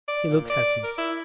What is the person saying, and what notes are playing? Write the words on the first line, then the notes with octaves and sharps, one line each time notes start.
He looked at it.
D5
A#2
D5
A#4
E4